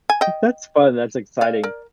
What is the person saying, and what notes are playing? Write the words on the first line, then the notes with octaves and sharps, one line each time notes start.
That's fun, that's exciting,
G#5
D#5 G5
D5 F5
A#4 D5